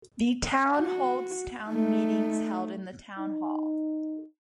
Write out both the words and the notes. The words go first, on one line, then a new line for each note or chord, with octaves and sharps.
The town holds town meetings held in the town hall.
F#4
A3 D#4
D#4